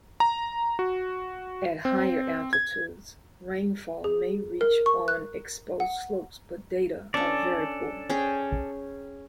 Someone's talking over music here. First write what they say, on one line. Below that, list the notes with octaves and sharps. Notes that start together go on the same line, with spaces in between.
At higher altitudes, rainfall may reach on exposed slopes but data are very poor.
A#5
F#4
C4
G#6
G#4
A#4
C#6
F#6
F#5
C#4 D4 A4 D5
C#4 G#4 G5